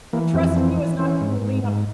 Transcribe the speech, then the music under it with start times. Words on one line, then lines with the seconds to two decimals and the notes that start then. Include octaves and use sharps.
trust you is not "can you lean on me?"
0.13 E3 A#3
0.34 F2 C4
0.56 E3 C4
0.78 E3
0.99 E3 C#4
1.21 G#2
1.42 G#2
1.64 G#2